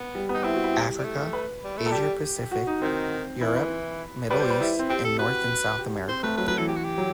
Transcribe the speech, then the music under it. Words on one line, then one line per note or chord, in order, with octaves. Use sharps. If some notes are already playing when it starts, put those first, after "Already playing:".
Africa, Asia-Pacific, Europe, Middle East and North and South America.
Already playing: B3
G3
B3
D#4
C4 E4
F#4
E4
G4
G3
A3
B4
G3
A3
A4
G3 G4
F#4
D#4
D#3 C4
E3 E4
B4
G3 B4
C5
B4
E4
C4
C4 G4
A4
F#4 B4
G4
C4 C5
A3 B4
F#3 B4
F#3 B4
E3 A4
G4
F#4
G4
F#3